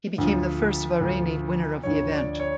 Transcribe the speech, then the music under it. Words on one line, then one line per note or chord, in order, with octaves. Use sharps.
He became the first Bahraini winner of the event.
D2 D3 F3
D2 D3 F3
D2 D3 F3 C#5
D5
C#5